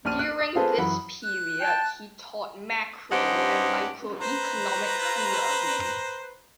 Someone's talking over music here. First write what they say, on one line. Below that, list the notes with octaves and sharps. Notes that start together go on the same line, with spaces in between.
During this period he taught macro- and micro-economic theory.
A#1 D4 F6 D#7
F#6
D#6
C4 F4 G#4 A4 B4 C5
F#2 E3 F#5 B5
F#6
G5 A5
G2 C#4 D#4 G4 C5 F#5
B4 C5 A#5